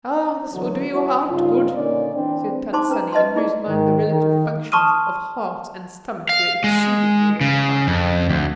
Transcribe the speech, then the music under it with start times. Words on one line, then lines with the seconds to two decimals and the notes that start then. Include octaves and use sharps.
"Ah, this will do your heart good," said Tant Sannie, in whose mind the relative functions of heart and stomach were exceedingly ill-defined.
0.53 D3 E3 F#3
0.92 F#3 E4 F#4
1.29 G2 C#3 D#4 F4
1.74 A#2 D3 C#4 D#4 D5
2.15 E3 C4 D4
2.73 D#4 C5 A5 C6 D6
2.89 C#4 B4 A#5
3.12 B4 D#5 E5 A5 C6
3.36 D#4 E4 G#4 D5
3.67 G#2 D#3
4.08 D#3
4.72 A5 C6 C#6 D#6 F6 D#7
6.29 F5
6.64 G#3
7.41 C#3
7.87 F2
8.29 D2